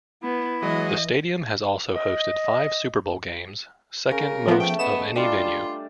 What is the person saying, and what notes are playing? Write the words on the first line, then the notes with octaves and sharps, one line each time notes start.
The stadium has also hosted five Super Bowl games, second most of any venue.
B3 E4
E3 F#3 G#3 D#5
D#5
C#3 A#4
F3 B3 E5
A3 G5 A5
B3 D#5 E7
G3 D4 F4 D5